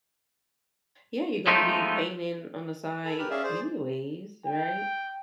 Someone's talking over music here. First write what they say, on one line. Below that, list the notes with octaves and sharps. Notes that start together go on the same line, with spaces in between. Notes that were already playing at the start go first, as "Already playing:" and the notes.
Yeah, you're gonna be painting on the side anyways, right?
F3 G#3 A3 B3 D#4 G4
A4 G#5 B5
G4 A#4 B4
C#4 G#4 D5 E5 F5
G#4 C5 D5
G5